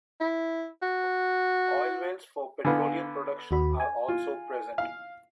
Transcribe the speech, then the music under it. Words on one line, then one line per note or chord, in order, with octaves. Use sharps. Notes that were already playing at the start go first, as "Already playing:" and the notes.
Oil wells for petroleum production are also present.
E4
F#4
D3 B3 F5 G#5
D#2 F#4 B5
G#5
F4
F5